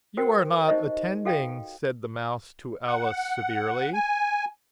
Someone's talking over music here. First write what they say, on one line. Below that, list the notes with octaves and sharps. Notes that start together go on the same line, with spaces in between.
'You are not attending!' said the Mouse to Alice severely.
F#4 A#4 C5 G5
D#4 G4 C5 D#5
F#4 A4 F5 G5
F#5
G#5